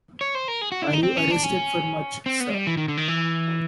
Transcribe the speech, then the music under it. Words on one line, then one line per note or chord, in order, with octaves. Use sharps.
Are you arrested for much, sir?
C#5
C5
A#4
G#4
F#4
E4
D4
D#4
C4
C#4
D4
C#4
C4
B3
G#3
G3
E3
D#3
D3
D#3
E3